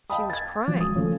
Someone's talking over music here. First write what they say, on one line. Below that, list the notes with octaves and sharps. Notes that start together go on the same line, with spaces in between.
"She was crying!"
D#5 F5 G5 A5 B5 D#6
G#6 A6
F3 F#3
C#2 F#4 D#6
C#3 F3 A3